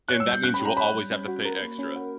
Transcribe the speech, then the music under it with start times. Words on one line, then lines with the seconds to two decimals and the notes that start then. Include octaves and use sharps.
and that means you will always have to pay extra.
0.08 C#5 F#6
0.20 E6
0.26 G3
0.32 G6
0.43 C#4 F#6
0.54 B5
0.59 G4
0.65 A#5
0.77 C#5 B5
0.94 G3
1.11 C#4
1.28 F#4
1.45 A#4
1.62 A#3
1.79 C#4
1.96 F#4